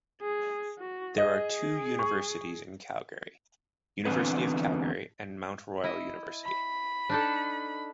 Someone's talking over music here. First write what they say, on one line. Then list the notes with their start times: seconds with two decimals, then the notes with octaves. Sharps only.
There are two universities in Calgary: University of Calgary and Mount Royal University.
0.22 G#4
0.78 F#4
1.18 G#4 D#5
1.99 C#6
4.05 E2 D3 E3 C4 B4
5.84 E4 D#5
6.44 B5
7.09 D4 D#4 A4